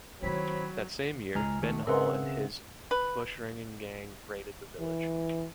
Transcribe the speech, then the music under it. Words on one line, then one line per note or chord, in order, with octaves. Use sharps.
That same year, Ben Hall and his bushranging gang raided the village.
D#3 F#3 C4 E4 C#5 B5
C#2 G#3 G#5 A#5 F6
D#3 A3
C#3 C4 G#4 A#4 B4 E5 F#5 C6
B4
E3